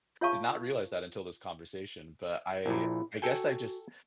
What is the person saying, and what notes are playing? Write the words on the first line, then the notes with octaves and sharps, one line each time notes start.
Did not realize that until this conversation, but I I guess I just
F4 C#5 F5 A5 C#6
A#1 A#2 E4
F#4 A4 G5 G#5